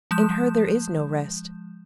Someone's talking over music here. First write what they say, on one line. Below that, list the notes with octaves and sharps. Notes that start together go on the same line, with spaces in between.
In her there is no rest.
F3 G#3 G6 E7